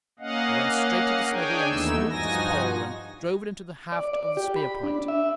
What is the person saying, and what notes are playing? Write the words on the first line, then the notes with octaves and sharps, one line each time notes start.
He went straight to the smithy and smoothed his pole and drove it into the haft of the spear-point.
A#3 C#4 D#5 F5 F#5
D4 G#4 C#5 G5 G#5
D#2 E3 A3 B3 D#4 E6
G2 F3 D#4 F#4 G#5 A#6
D5
D5
G4
B5
D4
E5